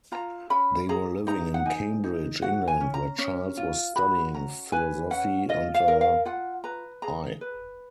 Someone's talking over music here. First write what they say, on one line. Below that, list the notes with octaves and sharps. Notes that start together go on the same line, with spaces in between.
They were living in Cambridge, England, where Charles was studying philosophy under I.
F4 A#5
C#4 B5
G#4 A#5
D#4 A#5
F#5
D#4 G#5
D#4
F#4 F#5
G#5
C#4
A#5
C#4
F4
F#4 B5
C#4 A#5
B4 G#5
C#4 F#5
F4 D#5
F5
A#4
F5
F4 F#5
B4 A#5
G#4 A#5
B4